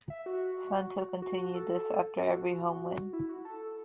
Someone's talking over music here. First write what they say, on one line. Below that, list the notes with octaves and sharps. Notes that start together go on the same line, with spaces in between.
Santo continued this after every home win.
E5
F#4
F#4
F#4
A4
F#4
F#4
E4
F#4
A4